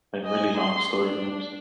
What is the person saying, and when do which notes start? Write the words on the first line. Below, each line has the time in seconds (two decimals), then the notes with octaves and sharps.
Like, really long story games.
0.24 D#5 G#5
0.57 C6
0.93 D4